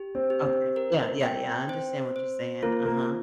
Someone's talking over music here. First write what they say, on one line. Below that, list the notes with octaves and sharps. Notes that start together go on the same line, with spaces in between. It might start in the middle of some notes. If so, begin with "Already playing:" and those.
Okay yeah, yeah, yeah, I understand what you're saying, uh-huh.
Already playing: G4
C4
G4
C4
A#4
G5
C5
C5
A#3 F4
A#3